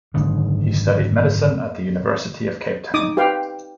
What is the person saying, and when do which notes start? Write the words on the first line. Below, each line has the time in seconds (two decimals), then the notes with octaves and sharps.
He studied medicine at the University of Cape Town.
0.14 F#1 G#2 D3 D#3
2.94 D#4 D#5 D6 D#6
3.17 G4 B4 F5 G5